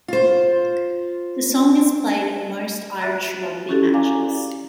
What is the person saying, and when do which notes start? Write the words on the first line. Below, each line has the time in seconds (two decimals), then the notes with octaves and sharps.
The song is played at most Irish Rugby matches.
0.08 F4 C5
3.02 F#4 E5 F#6 A6
3.69 C#4 E4 F#4 G4 A4
3.94 D5 F5 G#5 A#5 D6